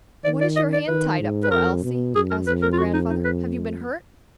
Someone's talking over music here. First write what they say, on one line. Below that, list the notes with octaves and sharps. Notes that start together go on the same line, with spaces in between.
"What is your hand tied up for, Elsie?" asked her grandfather; "have you been hurt?"
D#3 D5
D5
D#5
D5
D#3 B4
G#2
B4
F2 A#4
B2
F#2 G#4
A#4
F2 B4
A#4
F4
F#4
D#4
D#4
B4